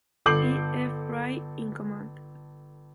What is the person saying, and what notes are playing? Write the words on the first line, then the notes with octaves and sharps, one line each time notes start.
E. F. Rye in command.
G1 A4 D6 G6 C7 F#7